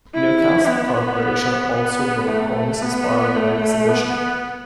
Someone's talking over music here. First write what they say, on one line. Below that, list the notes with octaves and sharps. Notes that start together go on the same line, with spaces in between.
Newcastle Corporation also built homes as part of the exhibition.
E4
B3
B3
A3
B3
A3
B3